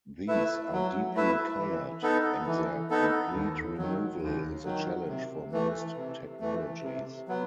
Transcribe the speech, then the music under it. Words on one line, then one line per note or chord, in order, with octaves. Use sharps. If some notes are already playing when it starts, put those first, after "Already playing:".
These are deeply colored and their complete removal is a challenge for most technologies.
A3 E4 B4 E5
F#3
A3 E4 B4 E5
E3
B3 D#4 A4
E3
B3 D#4 A4
D#2
D#3 F#3
D#2
D#3 F#3
C3
E3 A3
C3
E3 A3
C3
F#3 B3